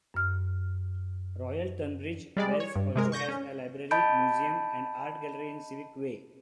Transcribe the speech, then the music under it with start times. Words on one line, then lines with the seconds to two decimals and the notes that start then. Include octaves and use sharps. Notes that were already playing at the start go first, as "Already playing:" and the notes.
Royal Tunbridge Wells also has a library, museum and art gallery in Civic Way.
0.14 F#2 F6
2.37 G3 G#3 D5
2.60 C#5
2.76 G2
2.95 C3 G#3 A#4
3.12 C#6 G6 A#6
3.29 C#4
3.91 D#5 A5 B5 G6 D7